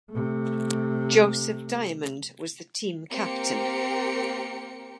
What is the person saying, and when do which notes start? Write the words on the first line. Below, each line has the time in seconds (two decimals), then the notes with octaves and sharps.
Joseph Diamond was the team captain.
0.10 C3 A3
3.10 A#3 C4 G4 A#4 G5 C#7